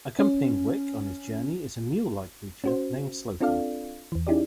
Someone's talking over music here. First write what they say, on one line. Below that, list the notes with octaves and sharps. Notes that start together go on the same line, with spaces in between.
Accompanying Wik on his journey is a mule-like creature named Slotham.
C#4
C#4 F#4 C5
C4 D4 F4 A4 D5 F5
E2 E3
C#4 D#4 E4 G4 G#4 D5